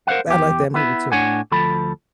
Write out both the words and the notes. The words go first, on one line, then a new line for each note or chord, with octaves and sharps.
I like that movie too,
A#4 C5 D5 F5 F#5
E2 G4
B3 E4 B4
A2 D4 C#5 F#5 G#5
D2 F3 A4 B5